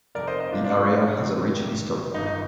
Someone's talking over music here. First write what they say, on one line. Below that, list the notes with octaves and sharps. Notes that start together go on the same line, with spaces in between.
The area has a rich history.
F1 F2 C3 A#4 D5
C5 D#5
C5 D#5
D4 F4
D4 F4
F1 F2 D#3
G1 G2 D#3 D#4
D#4